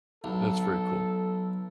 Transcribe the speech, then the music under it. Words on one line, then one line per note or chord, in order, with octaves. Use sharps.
that's very cool.
B1 A4